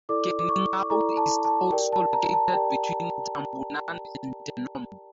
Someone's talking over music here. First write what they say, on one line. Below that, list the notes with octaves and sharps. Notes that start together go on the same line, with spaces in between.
Keningau is also located between Tambunan and Tenom.
E4 A4 D5 D6
D6
C#6
E4 A4 D5 A#5
A5
A5
G4 A#4 D5 G5
A5
A#5
A5
G4 A#4 D5 G5